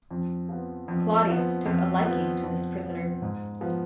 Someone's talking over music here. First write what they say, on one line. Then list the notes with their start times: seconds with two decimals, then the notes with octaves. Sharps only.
Claudius took a liking to this prisoner.
0.11 F2
0.49 F3 B3
0.88 F2
1.27 F3 B3
1.66 F2
2.05 F3 B3
2.44 F2
2.83 F3 B3
3.22 G#2
3.61 F3 B3